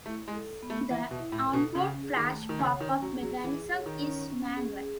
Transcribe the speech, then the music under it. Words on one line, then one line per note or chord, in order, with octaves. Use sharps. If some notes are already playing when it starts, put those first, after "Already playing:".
The onboard flash popup mechanism is manual.
A3 E4
G#3
A4
B3
A3
E3 E5
B2
E4
A2
A4
B2
C#3 C#4
G#4
D#3
A3
D#3
C#3 C#5
D#3
C#4
F#3
G#4
F#3
E3 G#4
C#5
D#3
C#4
C#4
G#4